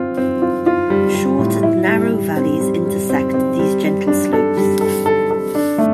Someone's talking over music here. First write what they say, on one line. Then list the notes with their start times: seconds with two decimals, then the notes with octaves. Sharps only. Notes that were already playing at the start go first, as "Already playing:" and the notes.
Short and narrow valleys intersect these gentle slopes.
Already playing: C4 F4
0.17 C4
0.42 F4
0.66 F4
0.90 G3
1.15 G3
1.39 A2
1.63 E4
1.88 G3
2.12 G3
2.36 C4
2.61 G3
2.85 G3
3.10 C4
3.34 C4
3.59 G3
3.84 G3
4.07 D4
4.33 A4
4.57 G3
4.81 A4
5.06 A4
5.31 A4
5.55 D4
5.78 A3